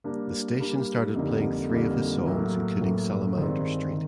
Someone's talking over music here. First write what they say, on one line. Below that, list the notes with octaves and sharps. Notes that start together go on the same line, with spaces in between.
The station started playing three of his songs including Salamander Street.
G3 A#3 D4
G3 A#3 D4
F2 D3 G3 A#3 D#4
F2 D3 G3 A#3 D#4
A2 F#3 A#3
A2 F#3 A#3
G2 D#3 G#3 C4
D#3